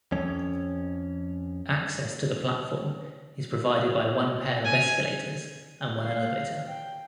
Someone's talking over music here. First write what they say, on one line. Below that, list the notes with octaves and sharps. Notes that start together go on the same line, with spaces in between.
Access to the platform is provided by one pair of escalators and one elevator.
F2 C#4
G#5
F5
G5